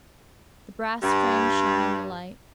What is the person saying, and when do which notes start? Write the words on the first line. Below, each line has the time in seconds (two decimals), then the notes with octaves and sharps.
The brass frame shone in the light.
1.02 G2